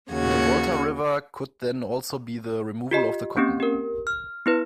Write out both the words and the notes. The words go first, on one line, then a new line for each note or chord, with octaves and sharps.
In the Volta River could then also be the removal of the cotton.
D#2 C#3 F#4 G#6
F4 G4 D#5
A#3 C4 C#4 G4
G4 A#4
F6
B3 E4 B4